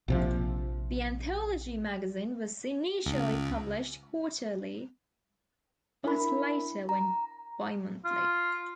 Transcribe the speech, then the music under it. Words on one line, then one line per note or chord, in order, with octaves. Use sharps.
The anthology magazine was initially published quarterly but later went bimonthly.
A#1 C3 F3
C#2
D4 E4 A#4 B5
A#5
F4